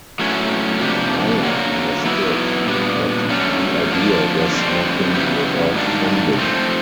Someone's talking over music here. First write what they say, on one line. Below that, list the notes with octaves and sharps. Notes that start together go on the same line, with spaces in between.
Meyer understood that the idea was nothing without funding.
F#3 A3 C#4 E4
C3 F3 A#3 D4 G4
D3 F#3 A#3
F#3 B3 E4
A#2 G3 B3 D4
D3 F#3 A3 C#4
F2 D3 F3 A#3 D4
F2 D3 G3 C4
C#3 F#3 B3 E4 G4
G#2 D#3 G3 A#3 D4
F3 A3 C4